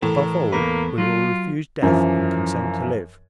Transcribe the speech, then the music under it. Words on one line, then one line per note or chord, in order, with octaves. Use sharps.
Above all, we will refuse death and consent to live.
A2 E3 A#4
E2 A#3 A#4 B4
F#3 F4
F#2 E3 F3